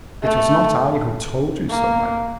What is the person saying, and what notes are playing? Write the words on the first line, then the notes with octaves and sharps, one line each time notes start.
"It was not I who told you so, my lord."
A3
A#3